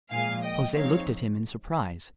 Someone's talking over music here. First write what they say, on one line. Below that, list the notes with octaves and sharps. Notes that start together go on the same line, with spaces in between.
Jose looked at him in surprise.
A#2 F3 G#3 F5 G#5
D#5 G5
F3 G#3 C4 D#4 C#5 F5